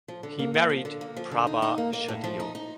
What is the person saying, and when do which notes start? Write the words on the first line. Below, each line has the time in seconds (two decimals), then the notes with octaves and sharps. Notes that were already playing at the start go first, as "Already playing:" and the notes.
He married Prabha Shahdeo.
0.08 F3
0.23 D3
0.39 A#3
0.54 A#3
0.70 F3
0.85 D3
1.01 A#3
1.16 F3
1.31 D3
1.47 D#4
1.62 D#4
1.78 A#3
1.93 A#3
2.08 A2
2.24 F3
2.40 D#4
2.55 D#4